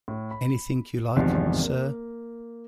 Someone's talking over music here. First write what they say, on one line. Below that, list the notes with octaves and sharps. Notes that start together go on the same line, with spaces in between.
Anything you like, sir.
A2
B5
G#1 E2 G2 C3 D#3 F3
A#3